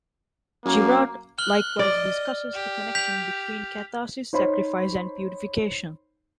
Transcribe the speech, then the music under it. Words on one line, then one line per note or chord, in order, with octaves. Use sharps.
Girard likewise discusses the connection between catharsis, sacrifice, and purification.
F#2 A#3
F6 F#6 G7
D5 D#5
G4
G6 B6 F7
D#4 C5 C#5 B5 C6